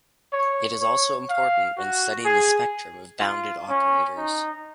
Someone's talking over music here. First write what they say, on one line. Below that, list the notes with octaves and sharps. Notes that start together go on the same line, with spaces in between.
It is also important when studying the spectrum of bounded operators.
C#5
C#5
F5
F#4
G#4
F4
C#4
D#4